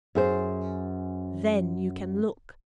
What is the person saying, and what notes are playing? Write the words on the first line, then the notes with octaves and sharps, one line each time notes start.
Then you can look.
F#2 G#4 C5